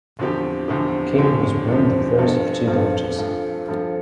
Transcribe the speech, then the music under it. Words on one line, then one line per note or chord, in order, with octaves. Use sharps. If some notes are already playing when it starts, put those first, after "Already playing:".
King was born the first of two daughters.
E2 D3 F3 C4 G4
E2 D3 F3 C4 G4
E2 D3 F3 C4 G4
E2 D3 F3 C4 G4
G2 F3 C4 F4 A4
G2 F3 C4 F4 A4
G2 F3 C4 F4 A4
G2 F3 C4 F4 A4